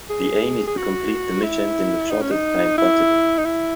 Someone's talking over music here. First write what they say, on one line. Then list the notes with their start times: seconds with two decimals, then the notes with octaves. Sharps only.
The aim is to complete the missions in the shortest time possible.
0.10 G#4
0.67 G#4
0.77 F#4
1.44 E4
2.11 D#4
2.21 C#4
2.31 D#4
2.78 E4
3.38 D#4
3.45 E4